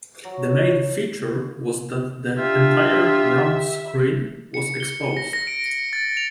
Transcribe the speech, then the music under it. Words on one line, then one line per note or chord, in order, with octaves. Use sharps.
The main feature was that the entire round screen was exposed.
F#3
D4 F4 G4 E5
C#7
G7
A#6
A#6
D7
C#7
A6
F7